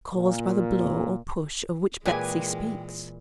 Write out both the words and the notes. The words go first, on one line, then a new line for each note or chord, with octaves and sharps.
'Caused by the blow or push of which Betsy speaks.'
A#2
A#2 E3 G#3 G4 G#4 B4 G#5